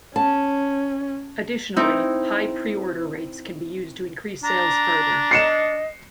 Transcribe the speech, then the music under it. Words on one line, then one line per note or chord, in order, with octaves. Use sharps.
Additionally, high pre-order rates can be used to increase sales further.
C#4 A5
C4 D#4 E4
D4 A#5
D#5 C7 C#7 E7